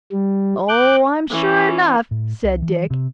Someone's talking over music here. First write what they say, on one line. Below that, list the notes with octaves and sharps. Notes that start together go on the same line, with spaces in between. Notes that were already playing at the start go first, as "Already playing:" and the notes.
"Oh, I'm sure enough," said Dick.
G3
D6 F#6 G6
E3 C#4
A2
C2
E3
C3